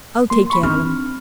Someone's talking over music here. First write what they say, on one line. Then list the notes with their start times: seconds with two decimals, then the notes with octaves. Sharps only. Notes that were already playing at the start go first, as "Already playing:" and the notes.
I'll take care on him.
0.30 A#3 C6
0.50 B5 C#6
0.63 C4 D4 D#4 F6